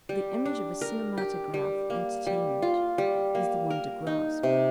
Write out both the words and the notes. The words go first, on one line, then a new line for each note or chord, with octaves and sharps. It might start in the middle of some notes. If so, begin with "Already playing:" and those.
The image of a cinematograph entertainment is the one to grasp.
G3
D4
A#4
G4
G3
A#3
G3
F4
G3
A#3
A#4
D#4
C3